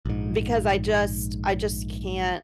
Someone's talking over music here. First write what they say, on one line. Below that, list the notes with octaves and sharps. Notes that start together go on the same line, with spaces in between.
because I just I just can't
A#1 G#2